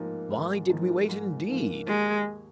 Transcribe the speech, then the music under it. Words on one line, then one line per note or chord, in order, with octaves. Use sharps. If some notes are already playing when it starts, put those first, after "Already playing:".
Why did we wait, indeed?
Already playing: G#2 F3 A#3 D#4
G#2
F3 A#3 D#4
G#2
F3 A#3 D#4
D#2 G#3